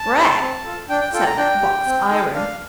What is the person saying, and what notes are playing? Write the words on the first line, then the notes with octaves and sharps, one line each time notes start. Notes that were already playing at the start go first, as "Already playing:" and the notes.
"Rag!" said the box-iron.
Already playing: A5
D#4 G4
C4
F4 A4
D4 G5
G5
F4 A4 G5
A#5
D4 G5
G4
C4
D#4 A4
D4 F5